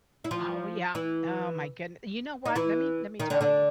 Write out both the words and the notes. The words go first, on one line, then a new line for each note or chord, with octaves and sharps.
Oh, yeah. Oh my goodne You know what? Let me let me tell you.
E4
F3 F4
E3 E4
D#4
E3 E4
D#3 D#4
D3 D4
D3 D4